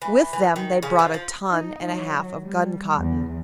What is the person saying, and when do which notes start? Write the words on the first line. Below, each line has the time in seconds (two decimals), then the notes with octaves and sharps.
With them they brought a ton and a half of guncotton.
0.02 E3
0.33 E3
0.56 D#3
0.83 C#3
0.99 F3
1.14 F3
1.48 D#4
1.89 F#3
2.42 G3
2.96 E2